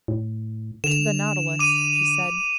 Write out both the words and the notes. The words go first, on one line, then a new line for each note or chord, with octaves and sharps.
"To the Nautilus," he said.
A2
D3 E7 F7
D6 D#7